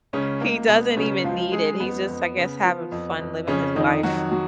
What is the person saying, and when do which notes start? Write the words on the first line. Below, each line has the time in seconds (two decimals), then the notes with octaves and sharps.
He doesn't even need it, he's just I guess, having fun living his life.
0.13 C#2 C#3 C#4
0.41 C#2 A#3
0.68 B2 B3
0.96 C#3 F#3 C#4
1.24 C#2 F3 F4
1.52 C#2 G#3 G#4
1.80 F2 B3
2.08 F2
2.37 C#3
2.64 F3
2.92 F2
3.20 F2
3.47 F2 C#3 C#4
3.76 F2 D#3 D#4
4.03 D#3 F#3 F#4
4.32 F#3